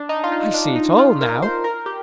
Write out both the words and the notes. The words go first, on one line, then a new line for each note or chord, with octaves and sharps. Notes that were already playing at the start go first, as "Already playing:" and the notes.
I see it all now.
Already playing: D4
D#4
F4
D#4
D4
D#4
F4
A#4
C5
A#4
G4